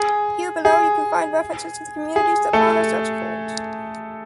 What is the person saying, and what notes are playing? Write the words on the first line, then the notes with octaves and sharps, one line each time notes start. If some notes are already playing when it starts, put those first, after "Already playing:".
Here below you can find references to the communities that follow such cult.
Already playing: G#4
G#4
G#4
A3 A4